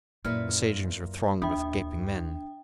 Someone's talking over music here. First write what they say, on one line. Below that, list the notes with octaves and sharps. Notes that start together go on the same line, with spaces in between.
The stagings were thronged with gaping men.
F#2 A#2 E4 B4 F6
D#2 D4 E5 G5 B5